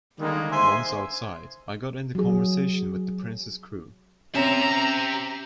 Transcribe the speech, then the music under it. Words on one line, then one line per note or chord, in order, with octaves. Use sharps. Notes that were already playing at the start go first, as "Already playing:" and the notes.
Once outside I got into conversation with the Prince's crew.
D3 D#3 G3 G#3 A#3
C5 E5 G#5 C6
F#3 G#4
C4 C#4 G4 E5 A#5